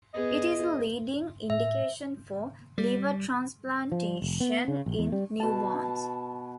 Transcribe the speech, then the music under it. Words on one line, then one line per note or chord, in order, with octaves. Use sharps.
It is a leading indication for liver transplantation in newborns.
B3 G#4 D#5
A2 E5
G3
F3
F1
B3
C#3
A#1
E2
G3
B2 A5